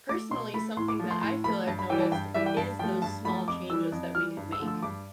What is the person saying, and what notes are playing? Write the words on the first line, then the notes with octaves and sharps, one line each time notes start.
Personally, something that I feel I've noticed is those small changes that we could make,
A3 D6
B2 C6
A3 B5
A2 C6
D6
F3 A3
C6
A2 C6
F3 A3 B5
G2 A5
B5
E3 G3 G5
A5
G2 G5
E3 G3 E5
G5
G2 A5
F3 A3 G5
G2 A5
F3 A3 B5
F2 D6
E3 G3 E6
F2
E3 G3 F6
G2
E6
D3 F3 A3
E6
G2 D6